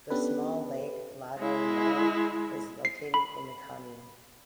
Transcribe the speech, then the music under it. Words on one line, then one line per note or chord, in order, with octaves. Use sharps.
The small lake Lago Moro is located in the commune.
B3 C#4 D4 G4 A4 B4
G#3 E4
C7
B5